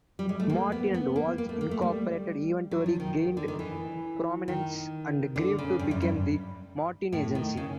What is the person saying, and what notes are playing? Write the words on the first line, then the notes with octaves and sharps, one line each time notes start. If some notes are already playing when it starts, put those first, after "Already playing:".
Martin and Woltz Incorporated eventually gained prominence and grew to become The Martin Agency.
G3
G#3
A3
A#3
B3
B3
A#3
A#3
A3
A#3
A3
G3
F#3
F3
D#3
D3
D#3
E3
D#3
D3
C#3
G2
F#2
G2
A2
D#3
C#3